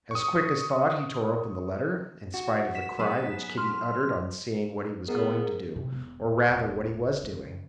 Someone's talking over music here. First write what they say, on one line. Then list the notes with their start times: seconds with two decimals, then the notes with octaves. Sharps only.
As quick as thought, he tore open the letter, in spite of the cry which Kitty uttered on seeing what he was going to do, or rather, what he was doing.
0.11 C#6 D#6
2.34 F#4
2.75 B6 E7
2.99 F#3 B3 G#4
3.58 C6 F6
5.08 G#2 B3 G#4 A#4
5.76 C3
5.92 E1
6.48 E1
7.23 C#3